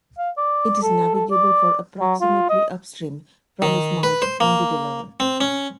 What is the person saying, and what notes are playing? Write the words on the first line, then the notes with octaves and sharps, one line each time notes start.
It is navigable for approximately upstream from its mouth on the Delaware.
F5
D5
A4
A4
D5
F#3
F4
D#5
D#3
B4
C5
A#3
C4
C#4